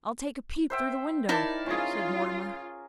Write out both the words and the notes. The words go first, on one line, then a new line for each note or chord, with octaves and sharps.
'I'll take a peep through the window,' said Mortimer.
C5 E5 G5
D#4 E4 A#4 D5 A5
C#4 F4 G#4